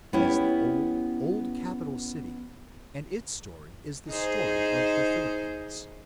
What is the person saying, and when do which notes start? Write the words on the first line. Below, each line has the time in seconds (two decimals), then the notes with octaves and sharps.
It is the old, old capital city and its story is the story of the Philippines.
0.13 B3 C#4 E4 G4
4.09 D#4 G#4 C5